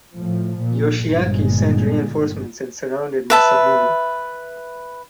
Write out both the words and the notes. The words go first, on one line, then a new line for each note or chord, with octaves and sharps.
Yoshiaki sent reinforcements and surrounded Masamune.
A2 F3
A#2
G1 A#2 G#3
B4 E5 A5